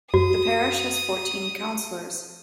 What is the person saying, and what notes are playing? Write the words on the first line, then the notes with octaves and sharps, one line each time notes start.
The parish has fourteen councillors.
F#2 F#4 D#6